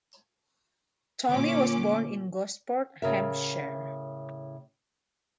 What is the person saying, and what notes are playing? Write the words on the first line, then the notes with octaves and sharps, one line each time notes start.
Tawney was born in Gosport, Hampshire.
A#2 D3 C#4 D6
A2 C#3 A#4 E5